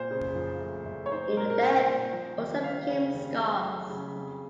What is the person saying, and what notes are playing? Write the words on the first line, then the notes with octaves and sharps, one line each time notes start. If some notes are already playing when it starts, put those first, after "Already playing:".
Even that also became scarce.
Already playing: A#2 C5
C#3
F3
A3
A3
C#5
D#4 C5
A#2 A#4
A#4
A#2 C5
A#2
F3
D#2
D#2 F5
C#3
D#2
A3
F#3
C#3
F2